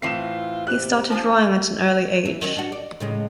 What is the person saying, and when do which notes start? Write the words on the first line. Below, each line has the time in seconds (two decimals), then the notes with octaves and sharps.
He started drawing at an early age.
0.02 A2 E3 C4 F4 C7 E7
0.67 C3 F#6
1.10 F3 D4 G#5 A5
2.25 E3
2.41 D#3 F#3 C#4
2.57 D4 F#4
2.72 D5
3.00 A2 C#3 G#3